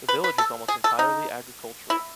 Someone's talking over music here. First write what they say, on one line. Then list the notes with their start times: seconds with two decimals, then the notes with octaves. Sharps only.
The village is almost entirely agricultural.
0.09 B4
0.24 B4
0.38 A4
0.68 G#4
0.84 A4
0.99 D#4
1.90 E4